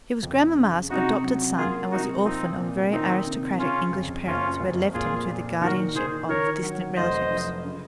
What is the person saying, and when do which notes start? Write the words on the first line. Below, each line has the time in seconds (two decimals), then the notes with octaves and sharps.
He was grandmamma's adopted son, and was the orphan of very aristocratic English parents who had left him to the guardianship of distant relatives.
0.23 F2
0.56 C#3
0.90 C3 D#4 F#4
1.24 F#3
1.57 A#3 F4 G#4
1.91 C3 D#4 F#4
2.25 C4 D#4 F4
2.59 A#2
2.92 D#3 C4 D#4
3.26 C3
3.59 C#3 C#4 F4
3.93 F2
4.27 F#1 C#4 F4
4.60 F2
4.94 A#2 F4 G#4
5.29 A#2
5.61 D#3 F#4 A#4
5.95 D#3 G#4 C5
6.29 D#3 A#4 C#5
6.63 F#3
6.96 F1 C5 D#5
7.30 F3
7.64 C#3